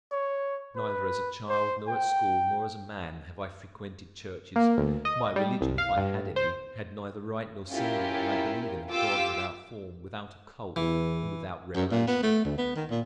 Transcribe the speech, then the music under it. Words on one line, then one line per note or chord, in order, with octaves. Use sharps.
Neither as a child, nor at school, nor as a man, have I frequented churches; my religion, if I had any, had neither rite nor symbol, and I believed in a God without form, without a cult, and without revelation.
C#5
B4
C5
G5
A#3
D2
D#5
G3
C2
F5
G2
C5
C#4 E4 F4 G4 A#4
F4 G4 F5 D6 E6
E2 E3
F#2
A#2
B3
A3
D2
B3
D#3
A#2